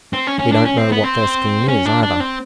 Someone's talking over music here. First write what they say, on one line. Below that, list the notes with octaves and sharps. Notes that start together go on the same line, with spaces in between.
We don't know what their scheme is either.
C4
C#4
C#4
D4
C#4
C4
B3
C4
C#4
D4
D4
C4